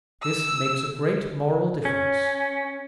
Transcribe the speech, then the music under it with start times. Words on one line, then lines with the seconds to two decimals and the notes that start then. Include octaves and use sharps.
This makes a great moral difference.
0.22 E6
1.85 C#4